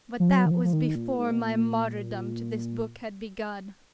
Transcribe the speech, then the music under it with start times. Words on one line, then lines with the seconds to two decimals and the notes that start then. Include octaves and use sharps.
But that was before my martyrdom to this book had begun.
0.20 F3
0.29 F#3
0.46 D#3
0.51 F3
0.64 F3
0.73 D#3
0.95 A#2
1.18 G#2
1.30 B2
1.40 A#2